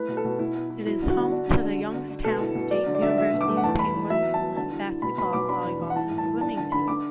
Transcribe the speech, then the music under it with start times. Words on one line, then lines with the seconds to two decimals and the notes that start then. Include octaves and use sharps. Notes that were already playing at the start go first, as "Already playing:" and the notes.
It is home to the Youngstown State University Penguins basketball, volleyball, and swimming teams.
Already playing: A3 E4 B4
0.09 B2
0.17 A4
0.25 B2
0.39 B2 E4
0.55 B3
0.70 E4
0.86 F#3 E4
1.02 D3
1.10 F#4
1.17 D3
1.32 D4
1.48 D3
1.63 D3
1.78 D3
1.94 D3
2.09 D3
2.24 B2 A4
2.41 E4
2.55 B2
2.71 F#3 D5
2.86 D3
2.95 D5
3.01 D3 E5
3.10 D5
3.17 F#3 E5
3.33 B2
3.41 D6
3.48 A3
3.57 F#5
3.63 E2 A5
3.79 E2 B5
3.94 E2
4.09 F#3 E5
4.26 B3
4.34 A5
4.40 F#3
4.56 D3 A5
4.71 E4
4.87 E4
5.02 B2 B5
5.18 B2 B5
5.33 B2 D6
5.49 D4 B5
5.65 E2
5.80 E3
5.90 F#5
5.95 E4 A5
6.10 A2
6.18 A5
6.26 E4
6.41 D4 A5
6.57 D3 A5
6.72 D3 B5
6.88 D3 D6